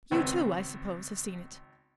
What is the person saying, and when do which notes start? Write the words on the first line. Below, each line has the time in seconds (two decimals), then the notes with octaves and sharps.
"You too, I suppose, have seen it?"
0.11 G#1 C#2 B3 C4 G#5